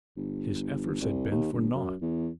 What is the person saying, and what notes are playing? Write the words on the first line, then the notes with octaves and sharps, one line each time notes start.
His efforts had been for naught.
G1
C2
D#2
G1
F#2
E2